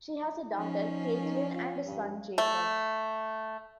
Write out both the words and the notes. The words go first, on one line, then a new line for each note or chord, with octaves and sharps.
She has a daughter, Katelin, and a son, Jacob.
F3 C#4 D#4
D#4
F4
G2
A3